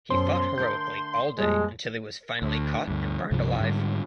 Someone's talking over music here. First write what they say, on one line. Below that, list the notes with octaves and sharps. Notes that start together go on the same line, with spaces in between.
He fought heroically all day until he was finally caught and burned alive.
F#2 B2 C#4 C5 C6
D3 A3 A#4 G6
F2 A#2 G3 G#3
D2
D2 G2
C2 G2 C3 F3
G#2 D3 D#3 G3